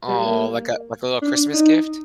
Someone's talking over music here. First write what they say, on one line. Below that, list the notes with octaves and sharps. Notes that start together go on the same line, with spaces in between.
Aw, like a like a little Christmas gift?
G3
A#3
D4
D#4